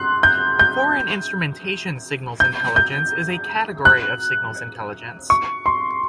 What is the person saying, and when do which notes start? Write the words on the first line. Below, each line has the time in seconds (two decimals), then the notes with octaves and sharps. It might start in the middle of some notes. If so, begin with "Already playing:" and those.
Foreign instrumentation signals intelligence is a category of signals intelligence.
Already playing: C6 F#6
0.23 G6
0.59 G6
2.40 G6
2.76 G6
3.85 F#6
5.30 C#6
5.66 C6